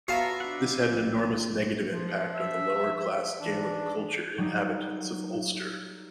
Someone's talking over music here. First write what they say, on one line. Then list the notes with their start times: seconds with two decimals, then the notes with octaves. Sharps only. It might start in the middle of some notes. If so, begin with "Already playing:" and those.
This had an enormous negative impact on the lower class Gaelic-culture inhabitants of Ulster.
0.08 B3 F4 F#4 C#5 E5 F5 A5 A#5
0.40 D4 F#5
1.90 F3
2.35 E5
3.40 E3 D4
4.38 F#3 G3 D#4